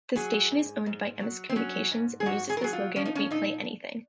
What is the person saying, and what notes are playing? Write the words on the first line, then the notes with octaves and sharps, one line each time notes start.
The station is owned by Emmis Communications and uses the slogan We play anything.
F#3 G#4
G#2
G#2
F#3
C4
F#3 C#4
G#2
G#4
G#2 F#4
G#4
A#4
F#3 G#4
F4
F3 C#4
D#4
C#4
A#2 D#4